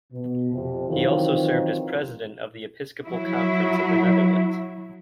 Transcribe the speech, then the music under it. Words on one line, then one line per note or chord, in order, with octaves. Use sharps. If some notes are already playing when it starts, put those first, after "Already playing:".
He also served as President of the Episcopal Conference of the Netherlands.
B2
F2 C3
D#3 E3 F#3 C4 F4
F#3 E4